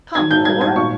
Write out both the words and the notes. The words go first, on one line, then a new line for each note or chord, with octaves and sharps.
Come, four?
D#3 G#6
G#2 G6
G3 G#6
G#2 G#6
A#2 C#6